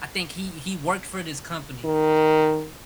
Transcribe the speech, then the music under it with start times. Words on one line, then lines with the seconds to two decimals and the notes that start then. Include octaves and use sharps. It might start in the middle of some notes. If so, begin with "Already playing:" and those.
I think he he worked for this company,
1.85 D#3